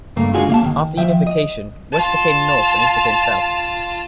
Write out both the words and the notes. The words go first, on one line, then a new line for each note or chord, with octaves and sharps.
After unification, west became north and east became south.
G2 C#3 A3 A#3
C#3 G#3 D4 F4 F#4 G#4
A#3 F5 A5
D#2 D#3
F3 E5 G5
D#5
F4 A5